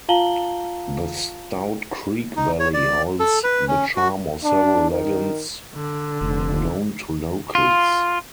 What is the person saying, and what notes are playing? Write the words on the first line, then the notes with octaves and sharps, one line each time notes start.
The Stout Creek valley holds the charm of several legends known to locals.
F4 F5 A5 A#5 F#7 G7
D#4
C#5
D5
A4
B4
C#4
F#4
D4
D#3
D3
F1
F4